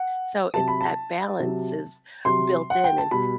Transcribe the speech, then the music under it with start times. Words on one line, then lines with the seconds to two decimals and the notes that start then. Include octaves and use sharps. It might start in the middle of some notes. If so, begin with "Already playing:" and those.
so, it's that balance is built in and,
Already playing: F#5
0.54 C3 F#3 A5
0.68 B5
0.81 A5
1.39 C3 F#3
2.25 C3 F#3 C6
2.70 F#5
2.84 G5
2.98 A5
3.11 B2 G3 B5